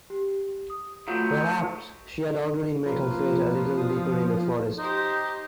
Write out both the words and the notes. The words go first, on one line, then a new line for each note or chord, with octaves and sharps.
Perhaps she had already met her fate a little deeper in the forest.
G4
D#6
D#3 F#3 A3 B3 F4 F#4 C5
F3 A#3 F4 B4
D4 F5 D#6
D#4 G4 C5